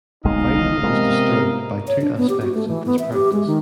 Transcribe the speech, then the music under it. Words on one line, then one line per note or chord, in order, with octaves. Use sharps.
Feynman was disturbed by two aspects of this practice.
D1 B1 G#3 D#4 D#5 F5
C3 G#3 A#3 B3 A#4
C#5
D4
B3
G4
F#4
A3
E3
B3
E5
G4
G#3
D#3